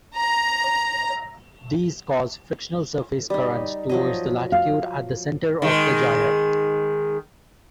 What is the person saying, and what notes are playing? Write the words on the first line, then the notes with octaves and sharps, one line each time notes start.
These cause frictional surface currents towards the latitude at the center of the gyre.
A#5
G3 D#4
F3 F#3 D#5
F5
D#3 G#3